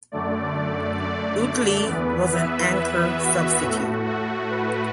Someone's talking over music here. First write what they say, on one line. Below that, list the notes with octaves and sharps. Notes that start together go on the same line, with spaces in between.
Utley was an anchor substitute.
F#2 D3 A3 D5
D5
E2 E3 B3 B4
E5
B4
F#4
A2 A3
F#4
B4